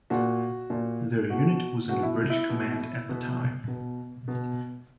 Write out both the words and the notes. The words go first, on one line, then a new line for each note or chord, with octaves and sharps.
Their unit was under British command at the time.
A#2 F#4
A#2
B2 F#4
B2 F#4
E4
E4
B2
B2
B2
B2